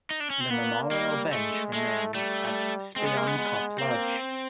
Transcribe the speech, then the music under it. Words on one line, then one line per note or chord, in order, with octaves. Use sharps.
The Memorial bench remains at Spion Kop Lodge.
D#4
D4
C#4
C4
A#3 B3
G3 A#3
G#3 A3
G#3 A3
G3 A3
G#3 C4
B3
A#3
B3
G#3
A#3 C4